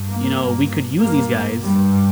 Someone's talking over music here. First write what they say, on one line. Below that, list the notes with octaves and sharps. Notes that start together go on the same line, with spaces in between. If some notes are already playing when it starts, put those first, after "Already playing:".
you know, we could use these guys
Already playing: G2
A#3
G2
G2 A#3
G2 G3